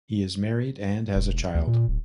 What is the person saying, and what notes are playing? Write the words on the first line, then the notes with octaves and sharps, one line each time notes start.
He is married and has a child.
E1
D2
A#2
D1